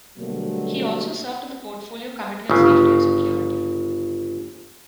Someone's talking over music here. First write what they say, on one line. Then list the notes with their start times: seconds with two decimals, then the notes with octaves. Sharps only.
He also served on the Portfolio Committee on Safety and Security.
0.17 B2 D3 F#3 G3 A3 A#3
2.50 G1 C#3